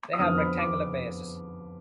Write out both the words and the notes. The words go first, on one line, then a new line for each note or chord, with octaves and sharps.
They have rectangular bases.
D#6
F2 D3 F3 B3 F6
B5
D6